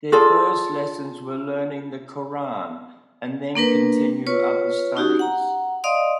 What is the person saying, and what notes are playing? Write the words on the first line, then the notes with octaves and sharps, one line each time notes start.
Their first lessons were learning the Quran and then continue other studies.
F4 G#4 A4 D5
A#3 D4 A#4 B4
F4 B4 C#5 C#6
C#4 D#4 F#4 G4
F#5 A#5
D5 D#5 F5 C6 D#6